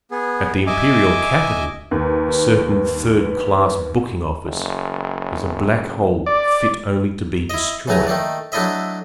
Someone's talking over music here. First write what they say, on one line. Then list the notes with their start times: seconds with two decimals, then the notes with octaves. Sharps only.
At the Imperial Capital a certain third class booking-office is a Black-Hole fit only to be destroyed.
0.11 B3 G#4
0.67 D#5 E5 G#5 D6
1.91 D#2 B4
3.19 B4
4.44 F#1
6.26 D5
7.50 E4 D#5
7.88 C#3 E3 F#3 A3 G#5 A#5
8.07 D#3 A3 A#3 D5
8.52 F#3 A3 D4 E4 D#5 E5